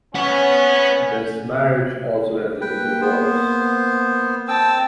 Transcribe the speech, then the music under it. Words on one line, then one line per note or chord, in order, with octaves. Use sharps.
This marriage also ended in divorce.
C#4 B4 F#5
A#3 B4 G5
B3 C5
C4 G5 A5 E6